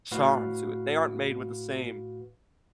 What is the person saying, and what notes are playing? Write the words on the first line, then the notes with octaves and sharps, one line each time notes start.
charm to it. They aren't made with the same
A2 F#4 B4 F5